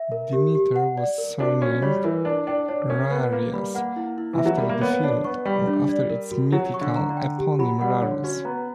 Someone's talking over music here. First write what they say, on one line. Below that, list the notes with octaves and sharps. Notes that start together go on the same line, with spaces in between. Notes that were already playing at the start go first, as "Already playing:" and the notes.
Demeter was surnamed "Rharias" after the field, or after its mythical eponym Rarus.
Already playing: E5
A#4
G4
G4
F#5
D5
A#4
D4 F#4
C#4 F#4
G3 C#5
E3 A#4
D4 E4
D4 G5
D4 C#5
C#4 A#4
B3 B4
A#3 B4
G3 B5
A#3 F#5
E4
E4
E3
E5
F#3
G3 A#4
A#3
B3 C#5
D4 C#5
B3 C#6
G3 G5
D4
D5
A#4
F#4
F#3 C#5
C#6
D3
A#5
D3
G5
G4
F#3 B5
G3 F#5
D3 C#5
C#4 F#4
B3 A#5